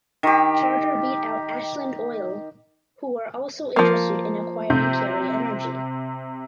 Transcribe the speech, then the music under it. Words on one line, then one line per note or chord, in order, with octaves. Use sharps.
Charter beat out Ashland Oil who were also interested in acquiring Carey Energy.
D#3 G4
F3 A#3
C3 G6